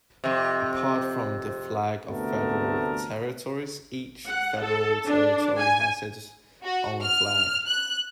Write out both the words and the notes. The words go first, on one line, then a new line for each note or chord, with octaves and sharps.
Apart from the flag of Federal Territories, each federal territory has its own flag.
F2 C3
D2 C3 A3 B3 A#4 A5
F#5
A4
D4
G#5
F#4
F6
F#6